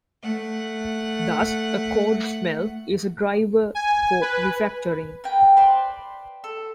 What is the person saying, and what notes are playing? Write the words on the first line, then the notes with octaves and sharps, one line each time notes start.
Thus, a code smell is a driver for refactoring.
A3 F#5
G#5
B4
A#4 B4 G5
B4 C5 D5
A4